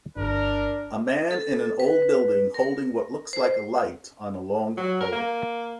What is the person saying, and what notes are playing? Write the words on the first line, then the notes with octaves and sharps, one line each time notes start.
A man in an old building holding what looks like a light on a long pole.
G1 D4 A#4
A4
B4
A#4
C5
F#3
A#4
A#3